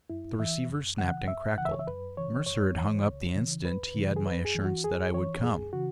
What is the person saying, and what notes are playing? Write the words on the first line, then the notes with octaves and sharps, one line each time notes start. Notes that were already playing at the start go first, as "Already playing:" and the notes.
The receiver snapped and crackled; Mercer had hung up the instant he had my assurance that I would come.
F#2 E4
E3 E5
F#2
C#3 E3 F#5
F#2 E5
C#3 E3 F#5
E5
C#5
E5
F#2 B4
C#3 E3 C#5
F#2 C#5
E3
C#2
C#3 E3
E2 B4
C#3 E3
G#4
F#2 B4
G#4
E3
F#4
E2 G#4
E3 C#5
F#2 G#4
C#3 E3 F#4